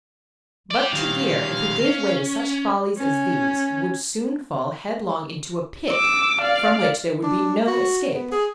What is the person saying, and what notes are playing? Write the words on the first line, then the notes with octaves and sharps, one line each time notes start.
But Tregear, if he gave way to such follies as these, would soon fall headlong into a pit from which there would be no escape.
D5 G5
D#3 G3 F5
C#4
C#4
D6 E6
D5 F5
D4
F#4
B3
G#4